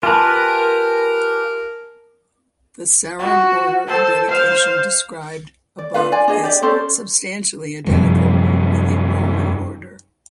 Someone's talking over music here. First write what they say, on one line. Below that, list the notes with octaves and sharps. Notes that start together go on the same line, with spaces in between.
The Sarum order of dedication described above is substantially identical with the Roman order.
F4 G4 A#4 B4 G#5 A5
F#4
A4 C5
C5 F5
D5
D4 F4 B4 F5
D5 G#5
D4 G#4 D#5
G4 D5
C#4 A4 C5 D5
F#2 C3 F3 G3